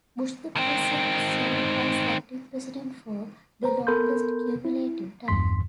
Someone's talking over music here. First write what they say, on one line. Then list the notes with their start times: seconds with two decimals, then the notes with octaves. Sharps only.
Bush the person to serve as Acting President for the longest cumulative time.
0.56 D#3 C4
3.63 B4 C5 A#5
3.87 B3 A4 A#4 B5 C6 G6
4.65 E4
5.28 G#1 E2 G2 C6 B6